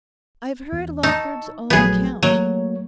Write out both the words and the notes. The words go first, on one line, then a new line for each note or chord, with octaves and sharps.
I have heard Lawford's own account.
E2
D#4 A5 C#6 E6
A#1 F#3 A3 B3 G#4
F#3 A3 A#3 C#5